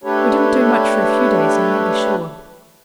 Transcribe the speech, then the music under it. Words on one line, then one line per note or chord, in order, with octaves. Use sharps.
We didn't do much for a few days, you may be sure.
A3 D4 G4 A4 B4 C#5